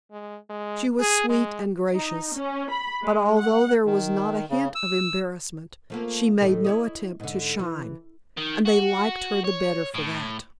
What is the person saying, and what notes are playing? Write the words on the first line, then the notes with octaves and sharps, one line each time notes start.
She was sweet and gracious, but although there was not a hint of embarrassment she made no attempt to shine, and they liked her the better for that.
G#3
G#3
G#4
G#3
D#4
C#4
B5
G#3
F#5
D#3
C#3
E6
F3 A3 A#3
A2 D#3 A4
E4 C#5 D#5
G#2 D3
E3
D#3
F#4
C#5
A2